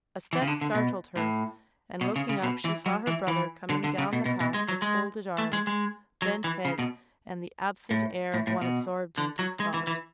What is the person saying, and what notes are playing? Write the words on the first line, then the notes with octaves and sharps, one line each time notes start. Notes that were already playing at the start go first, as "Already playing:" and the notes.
A step startled her, and looking up she saw her brother coming down the path with folded arms, bent head, and the absent air of one absorbed in deep thought.
E3
C#3
D3
D3
B2
A2
B2
C#3
C#3
B2
E3
F#3
E3
E3
D3
D3
C#3
B2
B2
B2
G#3
F#3
G#3
A3
G#3
G#3
F#3
E3
C#3
B2
A2
A2
A2
B2
D3
F#3
G#3
E3
E3